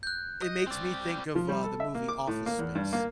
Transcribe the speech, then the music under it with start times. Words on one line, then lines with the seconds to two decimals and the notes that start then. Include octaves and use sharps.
it makes me think of, uh, the movie Office Space.
0.03 F#6 G6
0.42 D#5
0.67 C4 D5
1.35 F3
1.49 G3
1.64 A4
1.80 E5
1.95 A#3
2.08 D6
2.27 A2
2.46 A#3
2.59 E2
2.75 G2
2.93 A#3